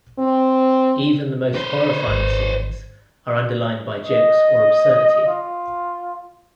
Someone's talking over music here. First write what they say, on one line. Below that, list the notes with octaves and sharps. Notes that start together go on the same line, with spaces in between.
Even the most horrifying scenes are underlined by jokes or absurdity.
C4
B4 C5
G#1
D#5
F4